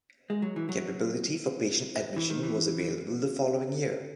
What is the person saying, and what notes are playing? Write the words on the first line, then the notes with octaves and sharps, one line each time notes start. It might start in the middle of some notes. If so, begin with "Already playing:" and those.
Capability for patient admission was available the following year.
G#3
F#3
E3
F#3
E3
D#3
E3